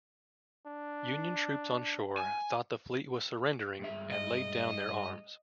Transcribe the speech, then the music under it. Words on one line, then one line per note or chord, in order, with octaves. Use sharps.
Union troops on shore thought the fleet was surrendering, and laid down their arms.
D4
G#5
G2 G#3 E5
D#5